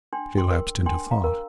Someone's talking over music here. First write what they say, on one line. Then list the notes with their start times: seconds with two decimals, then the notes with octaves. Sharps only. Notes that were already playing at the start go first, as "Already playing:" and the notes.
She lapsed into thought.
0.13 D4 G5 C6
0.37 G5 C6
0.50 A#4
0.86 D4 G5 C6
1.11 F5 A#5
1.24 A#4